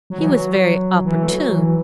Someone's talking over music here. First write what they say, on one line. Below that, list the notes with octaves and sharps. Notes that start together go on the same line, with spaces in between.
He was very opportune.
F#3
E3
F#3
E3
A3
F#3
E3